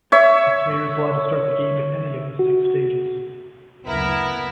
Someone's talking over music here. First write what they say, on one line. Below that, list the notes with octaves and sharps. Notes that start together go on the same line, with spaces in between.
The player is allowed to start the game at any of the six stages.
C#5 E5
F#4
F#1 D2 B3 E4 A#4